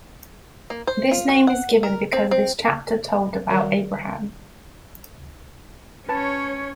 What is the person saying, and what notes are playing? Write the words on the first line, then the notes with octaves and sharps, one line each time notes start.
This name is given because this chapter told about Abraham.
A#3
C5
F4
F#4
F#5
A#4
C4
C4
D#3 G3 F#4 A#4 C#5 D5
C#4 B4 C#5 A5